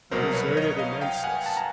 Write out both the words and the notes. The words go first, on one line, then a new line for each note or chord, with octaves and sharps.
A deserted immenseness.
C2 B2 F#3 A#4 C5
B4 C#5
C#5 D#5
D#5 F5
F5 G5
F#5 G#5
A5
A#5